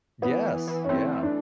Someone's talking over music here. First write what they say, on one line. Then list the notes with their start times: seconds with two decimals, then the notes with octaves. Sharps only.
yes. Yeah.
0.22 E3 B3
0.45 E3
0.68 E3
0.85 C#4
0.89 A3 C4
1.12 A3
1.23 D4